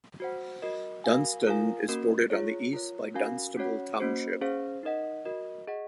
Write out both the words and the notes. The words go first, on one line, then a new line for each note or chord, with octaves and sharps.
Dunnstown is bordered on the east by Dunnstable Township.
F#4 C5 F#5
F#4 A#4 D#5
F#4 A#4 F5 G#5
F4 A#4 F5 G#5
A#3 C#4 F#4 A#4
F4 G#4 C#5
F4 A#4 C#5
C#4 F#4 A#4 F5 G#5
C#4 F#4 C#5 F#5
A#3 C#4 F#4 C5
C#4 G#4 C5 F5
D#4 A#4 D#5 F#5
F#4 A#4 D#5
G#4 D#5 F#5